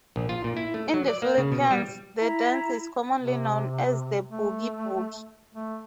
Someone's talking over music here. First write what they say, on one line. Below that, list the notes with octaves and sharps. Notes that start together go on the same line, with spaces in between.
In the Philippines, the dance is commonly known as the "Boogie Boogie".
A#1
F4
A#2
E4
A3
F#3
D5
A#3
C#3
B2
G3
E4 E5 A#5
C3
A3
A3